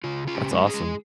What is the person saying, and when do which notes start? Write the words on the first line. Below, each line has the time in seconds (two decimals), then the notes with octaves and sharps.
That's awesome.
0.04 C#3 F4
0.27 C#4 F4
0.35 G4
0.51 G#3
0.67 G#4
0.74 G#3